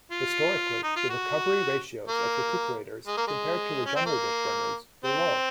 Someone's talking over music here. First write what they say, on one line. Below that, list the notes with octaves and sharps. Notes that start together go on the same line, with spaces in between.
Historically the recovery ratios of recuperators compared to regenerative burners were low.
F4
D#4
F4
F#4
A#3
G#3
A#3
G#3
C#4
C4
A#3
C4